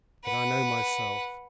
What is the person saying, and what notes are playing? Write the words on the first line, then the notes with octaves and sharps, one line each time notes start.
And I know myself.
B4 F#5